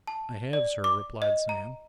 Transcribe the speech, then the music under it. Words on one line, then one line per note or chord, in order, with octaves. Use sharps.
'I have, Sir,' replied Sam.
A5
D5
D6
D#5
A#5